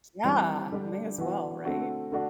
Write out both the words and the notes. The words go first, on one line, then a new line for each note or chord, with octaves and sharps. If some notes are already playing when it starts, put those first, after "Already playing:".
Yeah, may as well, right?
E3 G3 C4 G4
D3 G3 D4 G4
E3 B3 F#4
D3 A3 C4 F#4
D3 A3 D4 F#4